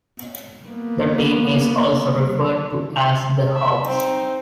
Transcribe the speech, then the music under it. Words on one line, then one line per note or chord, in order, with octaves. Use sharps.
The team is also referred to as the "Hawks".
A#3 B3
E5
C4 D#4